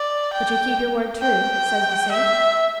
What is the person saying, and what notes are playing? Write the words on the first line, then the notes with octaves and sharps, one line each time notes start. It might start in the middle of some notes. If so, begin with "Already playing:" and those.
"But you'll keep your word true," says the saint.
Already playing: D5
G5
G5
E5